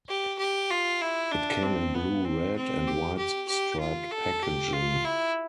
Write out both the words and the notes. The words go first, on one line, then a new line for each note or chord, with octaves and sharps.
It came in blue red and white striped packaging.
G4
G4
F4
E4
D4
C4
B3
C4
C4
G4
G4
G4
F4
A4
G4
F4
E4